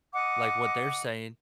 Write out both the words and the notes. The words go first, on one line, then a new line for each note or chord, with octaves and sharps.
like what they're saying,
D#5 F#5 D6